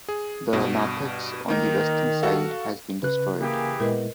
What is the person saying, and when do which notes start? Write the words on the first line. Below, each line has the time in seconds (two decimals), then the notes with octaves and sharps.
The narthex on the western side has been destroyed.
0.08 G#4
0.53 G2 B2
1.48 D#3 A#3 D#4 A#4
2.23 F#4 A4 F5
3.03 C#3 B4 F#6
3.40 E3 A#3 G4 G#4
3.80 A#2 G#3 B3 E4 A#4 B4 D#5